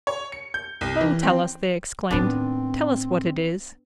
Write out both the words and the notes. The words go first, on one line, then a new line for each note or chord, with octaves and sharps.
"Oh tell us," they exclaimed--"tell us what it is!"
C#5
C#7
G6
C2
E3
C4
A2 D#3 B3 C4 D4